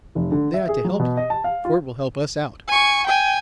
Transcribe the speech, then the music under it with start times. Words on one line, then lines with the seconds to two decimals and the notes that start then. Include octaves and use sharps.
They ought to help you, for it will help us out.
0.15 F1
0.32 D3
0.54 E5
0.69 G#4
0.85 F#3
0.99 B2
1.17 D#5
1.30 A5
1.44 F5
1.65 F4
2.68 G#5 C#6
3.07 G5 G#5